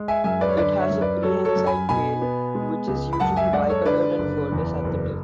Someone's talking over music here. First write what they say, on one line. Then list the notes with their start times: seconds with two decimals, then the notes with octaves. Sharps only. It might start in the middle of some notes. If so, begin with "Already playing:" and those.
It has a prehensile tail which is usually bicoloured and furless at the tip.
Already playing: G#3
0.08 E5 G#5
0.24 F#2 E5 G#5
0.41 B4 D5
0.49 C#5
0.57 D3 B4 D5
0.79 C#5 E5
0.90 F#2
1.01 B4 D5
1.23 F#3 A4 C#5
1.45 A4 C#5
1.56 F#2
1.66 G#5 B5
1.89 B2 G#5 B5
2.22 B3
2.55 G#3
2.87 C#2
3.13 B5
3.20 F#2 F#5 A5
3.36 E5 G#5
3.53 G#3 D5 F#5
3.69 A4 C#5
3.85 D3 B4 D5
4.19 F#1
4.52 E2
4.85 F#1